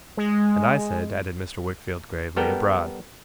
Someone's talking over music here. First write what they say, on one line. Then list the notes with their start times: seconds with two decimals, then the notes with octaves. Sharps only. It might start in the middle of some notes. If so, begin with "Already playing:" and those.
'And I said' added Mr. Wickfield gravely, 'abroad.
0.17 G#3
2.37 G3 B3 A4 A#4 G5